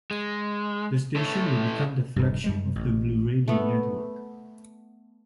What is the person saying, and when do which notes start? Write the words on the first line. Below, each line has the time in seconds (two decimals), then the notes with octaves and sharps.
The station will become the flagship of the Bluradio network.
0.11 G#3
1.16 C#4 E4 A4
2.16 D#1 G2
2.44 F#2 G3 G#3
2.75 A1
3.48 A3 B3